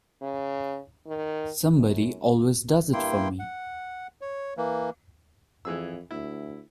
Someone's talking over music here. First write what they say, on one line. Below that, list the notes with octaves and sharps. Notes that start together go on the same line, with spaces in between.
Somebody always does it for me.
C#3
D#3
F#2
G2 A#3 E4 G5 C6
F#5
C#5
E3 A#3
F2 E3 G#4 E6
D2 E4